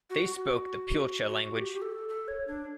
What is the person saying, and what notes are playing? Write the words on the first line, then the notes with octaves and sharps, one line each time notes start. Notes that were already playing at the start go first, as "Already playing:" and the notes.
They spoke the Puelche language.
F#4
F#4
F#4
G4
F#4
G4
A4
A4
C#5
D4